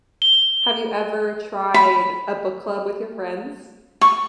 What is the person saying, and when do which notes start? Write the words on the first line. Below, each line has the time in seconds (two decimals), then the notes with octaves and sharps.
Have you ever tried a book club with your friends?
0.22 G7
1.74 B5
4.01 C#6